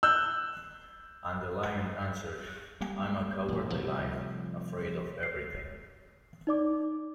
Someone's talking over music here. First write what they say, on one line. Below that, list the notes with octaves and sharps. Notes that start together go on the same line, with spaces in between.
And the Lion answered, "I am a Cowardly Lion, afraid of everything".
E6 F#6 G6
G3 A#3
A1 A2
C3 F3 G3 A3
C7
D#4 D5 D6